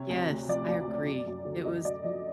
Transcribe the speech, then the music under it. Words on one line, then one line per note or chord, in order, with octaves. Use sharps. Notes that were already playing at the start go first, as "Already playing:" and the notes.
Yes, I agree. It was m
Already playing: C3 C#5
D2
D2
F3 D5
D2
D2
F#2
F#2
D3
F#2 D#5
F#2 D5
F3 D#5